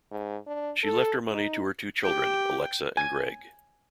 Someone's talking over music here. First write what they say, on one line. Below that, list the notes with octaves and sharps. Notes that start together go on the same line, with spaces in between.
She left her money to her two children, Alexa and Greg.
G#2
D4
A4
D#4
G4 G5
G#5